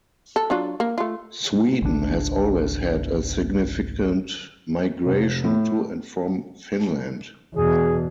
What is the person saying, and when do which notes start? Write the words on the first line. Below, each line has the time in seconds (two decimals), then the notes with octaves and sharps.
Sweden has always had a significant migration to and from Finland.
0.36 A4
0.50 F#3 D4 F4
0.80 A#3
0.98 A3 F4
1.82 G#1 C#2 D3 D4
5.06 F1
5.45 A2
7.55 E2 B2 G#4